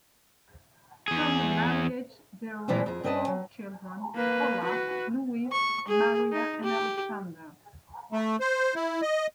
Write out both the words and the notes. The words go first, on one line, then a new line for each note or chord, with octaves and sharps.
From the marriage there were four children, Olaf, Luise, Maria and Alexander.
E2 G#4
A#2 E3 F3 G3 A#3 C4
F2 G#4
G2 C4 C#4 B4 D#5 A5
F#3
A#3 B4
F#4 B4
C#6
G#4
D#4
G4
A3
C5
E4
D#5